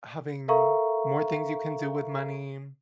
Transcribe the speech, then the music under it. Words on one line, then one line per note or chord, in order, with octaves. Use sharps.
having more things you can do with money,
A4 A#4 E5 F5 A#5 C#6